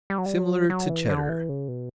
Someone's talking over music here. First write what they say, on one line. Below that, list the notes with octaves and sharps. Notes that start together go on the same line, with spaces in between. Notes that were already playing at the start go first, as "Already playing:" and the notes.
Similar to Cheddar.
G3
F#3
G3
F#3
F#3
E3
D3
E3
C#3
B2